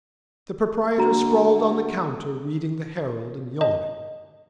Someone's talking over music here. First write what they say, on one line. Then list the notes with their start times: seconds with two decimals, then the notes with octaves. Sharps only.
The proprietor sprawled on the counter reading the Herald and yawning.
0.98 D3 A#3 F#4 A#5
3.61 D#5